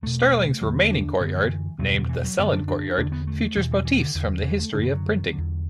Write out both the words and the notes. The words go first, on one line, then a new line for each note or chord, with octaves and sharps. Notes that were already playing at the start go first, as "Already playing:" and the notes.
Sterling's remaining courtyard, named the Selin Courtyard, features motifs from the history of printing.
E2 B2 A3
E2 D3 F#3
B3
D4
F#2 D3 B3
E3
E2 B2 F#3
D3
E3
F#3
F#2 D3 B3
D4
D4
E2 D3 D4
B3
A3
E2 B2 E3
E3
E3
D3
E2 D3
E3
A3
F#2 D3 D4
B3
F#3
E2 D3